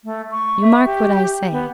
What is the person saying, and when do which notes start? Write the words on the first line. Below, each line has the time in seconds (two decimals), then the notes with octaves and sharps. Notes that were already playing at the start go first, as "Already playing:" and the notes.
You mark what I say.
0.05 A3
0.31 C#6
0.62 E5
0.85 G4
1.52 B3